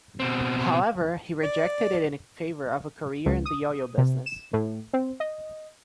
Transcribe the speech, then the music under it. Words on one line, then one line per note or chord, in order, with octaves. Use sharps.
However, he rejected it in favour of a career in the oil business.
B2 C4
D5
C#2
D#6
C3
E7
A2
C4
D#5